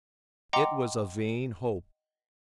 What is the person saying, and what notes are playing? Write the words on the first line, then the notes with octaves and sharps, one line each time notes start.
It was a vain hope.
D#5 F#5 G5 A#5 C6 D6